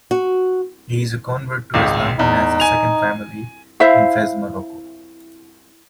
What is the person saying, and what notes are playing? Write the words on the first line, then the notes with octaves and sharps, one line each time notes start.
He is a convert to Islam and has a second family in Fez, Morocco.
F#4
G#1 C#2 G#2
E2 D#4
G#5 F7
E4 C5 E5 F5